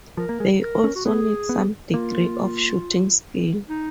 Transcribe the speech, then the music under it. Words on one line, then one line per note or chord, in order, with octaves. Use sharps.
They also need some degree of shooting skill.
F3 A#4
A#3
G#3
A#4
C#4
F#4
B3 G#4
B3
A#3 F4
D#4